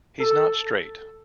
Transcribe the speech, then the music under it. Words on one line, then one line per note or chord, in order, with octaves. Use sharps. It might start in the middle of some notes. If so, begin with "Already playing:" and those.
He's not straight.
A4